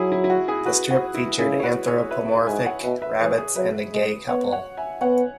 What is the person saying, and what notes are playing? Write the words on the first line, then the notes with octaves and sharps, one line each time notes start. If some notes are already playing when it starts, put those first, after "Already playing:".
The strip featured anthropomorphic rabbits and a gay couple.
Already playing: F#3 E4 G#4
E4
E4
F#4
E4 G#4
F#4 B4
F#4
E4
C#3 E4 G#4
C#5
F#4 B4
G#4 C#5
B4 E5
G#2 E5 G#5
C#5 F#5
B2 B4 E5
B4 E5
E3 G#4 C#5
G#4 C#5
F#3 B4 E5
G#3
B3 C#5 F#5
C#5 F#5
E5 G#5
B3 C#5 F#5